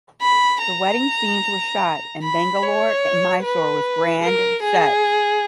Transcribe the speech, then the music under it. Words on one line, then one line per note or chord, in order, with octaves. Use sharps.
The wedding scenes were shot in Bangalore and Mysore with grand sets.
B5
A#5
B5
C#5
B4
A#4
G#4